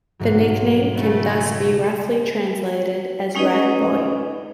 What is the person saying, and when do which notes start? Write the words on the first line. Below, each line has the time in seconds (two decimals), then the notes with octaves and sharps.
The nickname can thus be roughly translated as "rat boy".
0.19 B1 G#2 F#3
0.95 C#3 A3 E5
3.35 G#3 C#4 D#4 G#4 B4 D#5